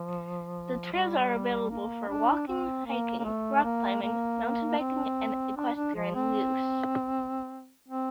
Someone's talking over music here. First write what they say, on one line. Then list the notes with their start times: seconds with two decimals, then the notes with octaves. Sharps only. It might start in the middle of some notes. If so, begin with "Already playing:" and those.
The trails are available for walking, hiking, rock climbing, mountain biking and equestrian use.
Already playing: F3
0.92 G3
1.70 A#3
2.08 D4
2.48 C4
2.86 A#3
3.19 A#3
3.24 A3
3.64 A#3
4.02 A#3
4.79 C4
5.57 D4
5.76 D4
5.95 F3
6.15 C4
7.88 C4